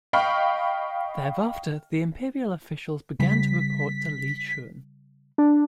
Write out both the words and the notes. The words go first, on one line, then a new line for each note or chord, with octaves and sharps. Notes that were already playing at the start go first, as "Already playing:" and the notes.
Thereafter, the imperial officials began to report to Li Chun.
D#5 F5 G5 B5 C#6 F6
C#3 G3 B6
D4